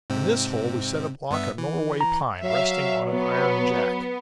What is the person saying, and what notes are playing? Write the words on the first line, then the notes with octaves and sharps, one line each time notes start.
In this hole we set a block of Norway pine resting on an iron jack.
G#2 C3 C4
G2 B3 E5
E3
A#5
F#3 E5 F5
B3